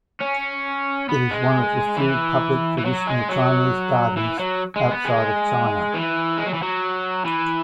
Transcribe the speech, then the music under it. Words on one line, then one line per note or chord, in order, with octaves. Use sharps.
It is one of the few public traditional Chinese gardens outside of China.
C#4
B3
G#3
E3
E3
F#3
G#3
F#3
E3
F#3
G#3
B3
G#3
E3
G#3
F#3
E3
F#3
E3